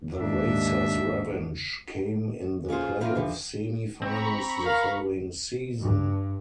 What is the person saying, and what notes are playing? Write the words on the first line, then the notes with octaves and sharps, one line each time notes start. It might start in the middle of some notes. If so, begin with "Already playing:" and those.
The Racers' revenge came in the playoff semi-finals the following season.
D#2 G#2 D4 E5
C#4 F4 G#4 C5
E3 A#3 C4 F4
D3 E3 F3
C4 A#5 B5 C#6
A#4 F5
G2